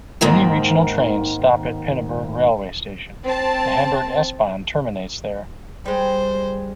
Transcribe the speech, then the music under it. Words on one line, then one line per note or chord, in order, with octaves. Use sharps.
Many regional trains stop at Pinneberg railway station; the Hamburg S-Bahn terminates there.
D#2 G#2 D#3 C4
C4 A5
G3 G#3 C5